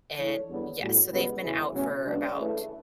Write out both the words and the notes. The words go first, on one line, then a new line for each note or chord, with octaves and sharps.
and yes, so they've been out for about
E3 A3 D4 A4 C#5
E2 D3 G3 B3
A2 G3 B3 F#4
C#2 B2 G3 B3
E2 C#3 E3
B2 F#3 A3 C#4
C#2 C#3 F#3 B3 D4
C#3 E3 A3